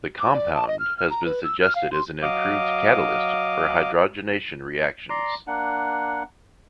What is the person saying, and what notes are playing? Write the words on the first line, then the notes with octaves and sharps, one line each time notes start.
The compound has been suggested as an improved catalyst for hydrogenation reactions.
D6
D5
A5
D#5
F6
F6
A#5
B4
E6
F6
F5
C6
F#3 D#5 F5 D6
D5 A#5 C6
A#3 D4 F#5